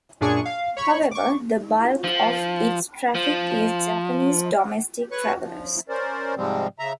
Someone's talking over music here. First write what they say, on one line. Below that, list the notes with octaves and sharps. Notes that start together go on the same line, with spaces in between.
However, the bulk of its traffic is Japanese domestic travelers.
F#2 A#2 D4 G#4 G#5 C#6
F5
C#5 B5 C#6
C#6 D6
F3
F3
B4 C#5 C#6 F#6
F3
C#4 A#4 C5 D5
G#2 C3 F3 G3 G#3 C4
C#3 E5 A#5